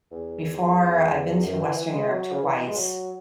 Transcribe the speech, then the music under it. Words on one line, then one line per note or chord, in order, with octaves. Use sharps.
Before, I've been to Western Europe twice,
E2
F#2
E3
E3
G#3
F#3
C#3
E3
G#3
F#3